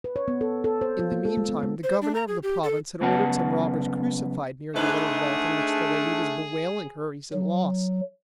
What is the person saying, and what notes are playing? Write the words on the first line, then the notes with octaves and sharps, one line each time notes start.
In the meantime the governor of the province had ordered some robbers crucified near the little vault in which the lady was bewailing her recent loss.
B4
C#5
B3
A4
A4
C5
F4
A#3
A4
G#3
B3
G#3
C5
D4
A#5
G#4
G4
A4
F#2 C#3 B3 B4 F#5 A5
G#2 A3 D4 D#4 G#4 B4
F#3